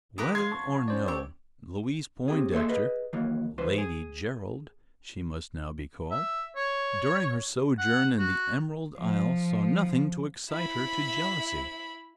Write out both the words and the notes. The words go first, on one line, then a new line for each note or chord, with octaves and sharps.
Whether or no, Louise Poindexter--Lady Gerald she must now be called-- during her sojourn in the Emerald Isle saw nothing to excite her to jealousy.
D#3 E3 G4 A#4 B4 D#6
F5 C6 G#6
F#3 A5 C#6
C#4 C5 D5
G4 C#6 E6
C4 G4 G#4
A#3 G#4 A4 C5 E5 C6
G#4 B4 D#5
D#3 E3 F#3 A#3
B2 E3 B4 C5
G#4
E5
C#5
F#5
F#4
F3
E4 B5